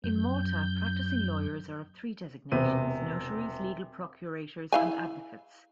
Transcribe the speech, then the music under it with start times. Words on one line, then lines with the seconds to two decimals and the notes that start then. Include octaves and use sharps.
In Malta, practising lawyers are of three designations - notaries, legal procurators and advocates.
0.04 F#2 G6
2.52 E1 C3 B3 G4 D#7
4.72 E4 F5 G#5